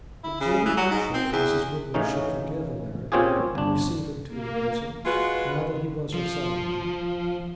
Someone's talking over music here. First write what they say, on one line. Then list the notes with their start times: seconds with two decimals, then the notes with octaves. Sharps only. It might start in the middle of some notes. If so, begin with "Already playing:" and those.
It was only natural that Mrs. Woodward should forgive Alaric and receive him to her bosom, now that he was her son-in-law.
0.24 E4
0.40 C#3
0.65 E3
0.77 F#3
0.91 G#2
1.14 C4
1.32 E2
1.94 A2 C#3 E3 C#4 D#4
3.12 A#2 C4 C#4 F4 G4 G#4
3.55 G1 D4
4.28 A#3
5.06 G#3 F4 F#4 B4
6.14 F3